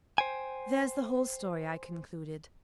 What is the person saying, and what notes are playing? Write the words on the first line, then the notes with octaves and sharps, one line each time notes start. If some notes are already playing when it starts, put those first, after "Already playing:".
"There's the whole story," I concluded.
C5 G5 G#5